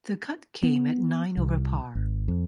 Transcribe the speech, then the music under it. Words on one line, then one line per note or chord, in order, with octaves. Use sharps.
The cut came at nine over par.
B3
C2
G#1
F2